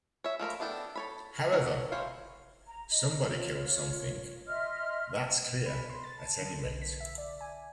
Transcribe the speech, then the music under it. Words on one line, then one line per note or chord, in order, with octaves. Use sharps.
However, somebody killed something: that's clear, at any rate.
C#5 E5
F3 A3 A#4 B5
B3 D4 E4 G4 A4
A4 C#5 B5
D#4 F#4 A4 A#4 C#5
E3 C5 C#5 F5
A#5
D#5
F4 C#5
D#5 E5 C6 F6
B5
C6
A6
A5
D3
B1
B6
E5
D5
G#5